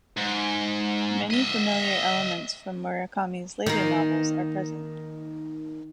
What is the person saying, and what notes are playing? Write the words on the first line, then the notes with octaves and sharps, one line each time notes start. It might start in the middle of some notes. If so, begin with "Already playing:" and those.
Many familiar elements from Murakami's later novels are present.
G#2
D#5 E5
D#3 A#3